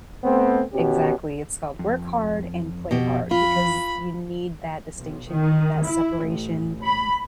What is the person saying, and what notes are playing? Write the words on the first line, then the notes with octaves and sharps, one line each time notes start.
Exactly, it's called "work hard and play hard," because you need that distinction, you need that separation.
A3 B3 C4
B2 C#4 G4
F2
B2 G4
F4 B5
B1
D#3
E4
A1
B5